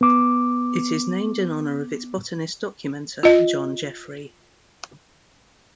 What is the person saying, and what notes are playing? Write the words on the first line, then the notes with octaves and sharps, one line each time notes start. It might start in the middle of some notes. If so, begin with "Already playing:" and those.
It is named in honor of its botanist documenter John Jeffrey.
B3 D6
F4 D#5